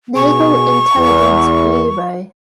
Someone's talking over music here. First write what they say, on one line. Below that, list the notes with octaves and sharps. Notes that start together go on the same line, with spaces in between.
Naval Intelligence Bureau.
B2 G#4 C#6
E2